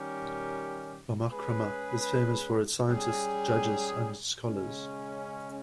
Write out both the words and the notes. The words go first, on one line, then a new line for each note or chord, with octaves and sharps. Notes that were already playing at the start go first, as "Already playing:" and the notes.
Bamakhrama is famous for its scientists, judges, and scholars.
Already playing: D#3 G3 C#4 G4 A#4
G#3 C#4 G#4 B4
G3 C#4 G#4
C#3 G#3 C#4